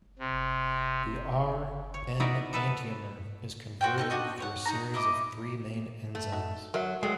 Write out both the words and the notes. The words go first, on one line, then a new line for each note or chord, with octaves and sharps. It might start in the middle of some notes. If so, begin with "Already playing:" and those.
The R-enantiomer is converted through a series of three main enzymes.
C3
C#5
D#4 E4 F#4 A#4 B4 D5
B3 A4 B4 E5 A5
F#4 C5 G5
A3 A#3 D#4
D4 F#4 D#5
C#5 F#5
D#4 A#5
E4 D#5 D6
A3
D#4 F#4
F#3 A#4 E5
F#3 G#3 A4 D5 G5